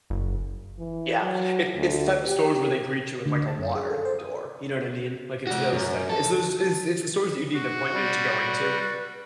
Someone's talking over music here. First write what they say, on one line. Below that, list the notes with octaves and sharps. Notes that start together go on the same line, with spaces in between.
Yeah, it's it's the type of stores where they greet you with, like, a water at the door, you know what I mean? Like, it's those type of it's those, it's it's the stores that you need an appointment to go into,
F#1
E3
F#3
D2
G4
D2
A5
F#2
G#4
A4
C5
D#6
F#4 D5
F#2
A4
F#4
G3
B4